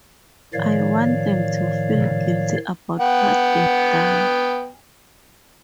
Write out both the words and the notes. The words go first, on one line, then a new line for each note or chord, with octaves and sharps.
I want them to feel guilty about what they've done.
A2 D#3 F3 C#5 D5 F5
B3 F#5 G5